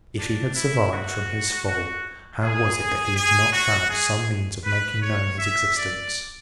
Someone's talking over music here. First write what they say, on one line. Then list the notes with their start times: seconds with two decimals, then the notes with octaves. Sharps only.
If he had survived from his fall, how was it that he had not found some means of making known his existence?
0.19 D4
0.55 E4
0.93 F#4
1.67 F#4
2.41 G#4
3.16 G#4
3.53 F#4
3.90 G#4
4.65 B4
5.02 C#5
5.39 E5
5.76 D5